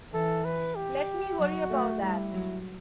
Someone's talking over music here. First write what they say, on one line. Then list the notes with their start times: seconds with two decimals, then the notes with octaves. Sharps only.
Let me worry about that.
0.13 E3 A4
0.45 B4
0.75 G4
1.38 F#3 F#4
1.70 A3
2.01 G3 E4
2.32 F#3